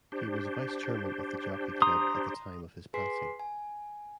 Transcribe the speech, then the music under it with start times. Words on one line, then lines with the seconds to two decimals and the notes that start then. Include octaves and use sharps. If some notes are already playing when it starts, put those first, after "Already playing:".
He was vice-Chairman of The Jockey Club at the time of his passing.
0.12 D4 G4 C5
1.82 A#5 C6 D#6
2.94 G#4 B4 G#5 C6 B6 C7
3.39 G#5